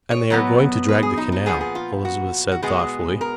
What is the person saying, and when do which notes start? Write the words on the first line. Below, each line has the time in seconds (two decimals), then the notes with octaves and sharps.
"And they are going to drag the canal," Elizabeth said thoughtfully.
0.11 C#5
0.30 B2 F#3 B3
0.88 B4
1.03 G#4
1.17 D#4
1.32 D#4
1.46 A#2 F3 B3 G#4
1.61 G#4
1.75 F4
2.05 F#4
2.52 F#4
2.62 B2 G#3 B3 G#4
3.21 A#4